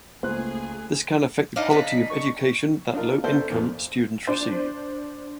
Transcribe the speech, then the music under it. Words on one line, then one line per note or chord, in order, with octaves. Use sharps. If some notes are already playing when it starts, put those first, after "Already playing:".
This can affect the quality of education that low-income students receive.
C#2 A3 A#3 G#4 C5 F#6
D4 D#4 D#5 F5
C#3 D4 D#4 B6
C#6
D4 D#4 F4 A#4
C#4 A4 A#4 C5 D5 E5
F2 A#2
D4 C5